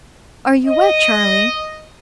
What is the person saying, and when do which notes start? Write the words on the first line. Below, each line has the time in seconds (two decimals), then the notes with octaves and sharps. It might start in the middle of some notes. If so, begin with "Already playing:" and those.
'Are you wet, Charlie?'
0.66 D#5